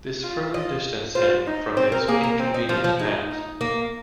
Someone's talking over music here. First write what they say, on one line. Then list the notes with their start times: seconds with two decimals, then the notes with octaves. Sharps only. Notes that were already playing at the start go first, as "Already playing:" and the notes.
This further distanced him from his inconvenient past.
0.23 F4
0.54 F4 D#5
1.15 F4 C5
1.47 D#4
1.77 C4 C5
1.92 A#4
2.08 A#3 G#4
2.23 A#4
2.39 C4
2.54 D#4
2.69 F3 F4
2.84 F3
2.99 G#3 D#4
3.31 D#4
3.61 A#3